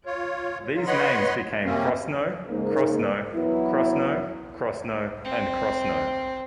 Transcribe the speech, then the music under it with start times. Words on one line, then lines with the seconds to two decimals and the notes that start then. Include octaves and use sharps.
These names became Crossnoe, Crosnoe, Crossno, Crosno, and Crosskno.
0.06 F4 C#5
0.73 F#3 F4
0.86 B4 C#5 D#5 F#5 B5 C6
1.65 F#2 C3 A#3 C4 C#4
2.48 G#2 C#3 A#3
3.32 E3 F#3 B3 E4
5.24 C4